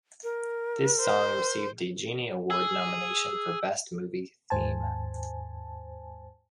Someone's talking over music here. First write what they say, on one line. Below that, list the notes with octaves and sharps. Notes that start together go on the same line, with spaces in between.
This song received a Genie Award nomination for Best Movie Theme.
A#4
C5
G#4 E6
D#2 G#2 C5 G#5 A5